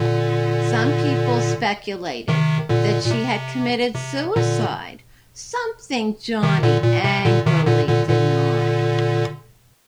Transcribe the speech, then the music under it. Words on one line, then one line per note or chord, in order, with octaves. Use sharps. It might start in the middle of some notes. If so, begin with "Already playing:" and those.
Some people speculated that she had committed suicide, something Johnny angrily denied.
Already playing: A#2 D3
C3 D#3
A#2 D3
A#2
C3
C3
A#2 D3
C3 D#3
A#2 D3
A#2
C3
A#2 D3
C3 D#3
A#2 D3
A#2 D3
A#2 D3